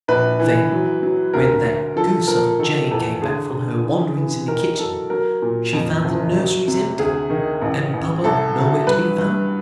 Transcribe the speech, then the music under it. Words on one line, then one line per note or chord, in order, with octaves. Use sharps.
Then, when that goose of a Jane came back from her wanderings in the kitchen, she found the nurseries empty, and Baba nowhere to be found.
A#1 B4
E3
F#3
F#3
D2 A#4
D2
F3 A4
F3 A#4
D#3 A4
E2 A4
D3 G#4
D3
E3
E3
D#3 A#4
F#3 A4
F#3 A#4
A#2
F2
F#1
F#3
C3
D2 G#4
D#3
A1
A1
C2 A4
F#3
G2 B4
G2